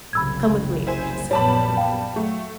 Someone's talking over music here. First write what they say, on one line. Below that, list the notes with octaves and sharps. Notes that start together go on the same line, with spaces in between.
'Come with me,' she said.
F#1 C2 C#3 B5 E6 G#6
E4 C5 G#5
A#1 F#2 G3 B3 C#5 A5 B5
F5 G5
F#3 A3